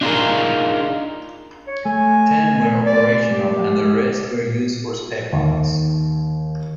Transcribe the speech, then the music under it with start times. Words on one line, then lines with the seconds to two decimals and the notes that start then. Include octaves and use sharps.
Ten were operational and the rest were used for spare parts.
0.01 D4 D#4 F4 F#4 G#4 A#4
1.67 C#5
1.85 A3 G#5
2.86 D5
3.30 G4
5.33 D#2